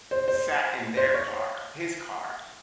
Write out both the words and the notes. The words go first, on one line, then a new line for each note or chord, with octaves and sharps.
sat in their car his car,
C5
C5
C5
C#5